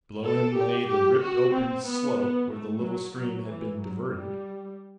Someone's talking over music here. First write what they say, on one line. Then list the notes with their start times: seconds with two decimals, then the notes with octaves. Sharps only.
Below him lay the ripped-open slope where the little stream had been diverted.
0.24 A4
0.56 G4
0.88 G4
1.21 F#4
1.53 C4
1.85 B3
2.18 B3
2.50 A3
2.82 F#3
3.14 F#3
3.47 E3
3.80 F#3
4.12 G3